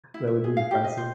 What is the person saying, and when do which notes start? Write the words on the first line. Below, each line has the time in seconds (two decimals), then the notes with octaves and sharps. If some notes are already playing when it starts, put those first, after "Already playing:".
That would be impressive.
0.14 E4
0.27 E5
0.44 G#4
0.57 F5
0.71 G4
0.84 D#5
0.97 C5